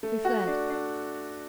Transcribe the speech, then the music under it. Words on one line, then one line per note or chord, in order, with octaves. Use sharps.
We fled.
A3
F#4
D4
D4